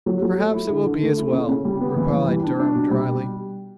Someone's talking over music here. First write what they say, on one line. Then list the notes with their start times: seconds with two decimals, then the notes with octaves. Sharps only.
"Perhaps it will be as well," replied Durham, dryly.
0.06 F#3
0.22 F#3
0.38 A3
0.53 E4
0.69 D3
0.85 D3
1.01 A3
1.17 E4
1.33 C#3
1.49 C#3
1.65 G3
1.80 B3
1.96 E3
2.12 E3
2.28 G3
2.43 D4
2.59 D4
2.75 B2
2.91 G3